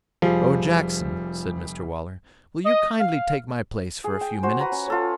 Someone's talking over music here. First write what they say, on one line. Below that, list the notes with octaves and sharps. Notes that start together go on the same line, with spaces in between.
'Oh, Jackson,' said Mr Waller, 'will you kindly take my place for a few minutes?
F1 F3 G3 G#4
D#5
F5
G#4
G5
F#4 C5
F#4 B4 A#5
C#4
F4 A4 C#5